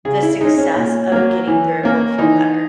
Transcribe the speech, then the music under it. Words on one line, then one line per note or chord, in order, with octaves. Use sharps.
the success of getting through it will feel better.
C#3 G#4
E4
G#3 C#4 D#4
C#4
A#2
F#3 A#3
E3
A#3 C#4
E3 D#4